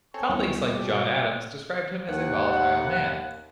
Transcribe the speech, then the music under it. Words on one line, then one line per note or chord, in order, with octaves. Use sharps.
Colleagues like John Adams described him as a volatile man.
C4 A4 C#5 G#5 A5 C#6
D2 E3 F3 G3 B3 A#4
B2 G#4 D5 G5
D#2 F#5